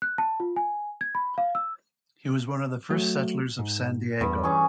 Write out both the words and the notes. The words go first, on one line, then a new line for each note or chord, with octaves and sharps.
He was one of the first settlers of San Diego.
F#6
A5
F4
G#5
G#6
B5
F5
E6
F#3 A3 F#4
G#2
E2 G2
E3 C#4 G#4 C#5